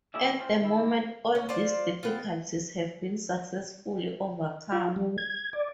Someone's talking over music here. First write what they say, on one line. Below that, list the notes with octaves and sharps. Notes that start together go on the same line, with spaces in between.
At the moment all these difficulties have been successfully overcome.
A#3 E4 F#4 G#4 D5 E5
C4 C#4 F4 C5
D#3 E4
C#4
F4 C5 D5
B3 C4 F4
F4
G3
G#6
D5